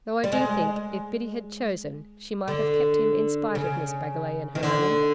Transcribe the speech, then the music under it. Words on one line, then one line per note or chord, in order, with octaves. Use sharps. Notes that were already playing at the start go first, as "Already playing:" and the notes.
Though I do think if Biddy had chosen she might have kept him in spite of Miss Bagalay and her money.
G3
G#3
D3
C#3
D#3
D3